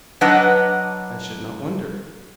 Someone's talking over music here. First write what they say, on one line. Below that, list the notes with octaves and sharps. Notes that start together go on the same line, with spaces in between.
I should not wonder.
F#3 D4 B4 D#5 F#5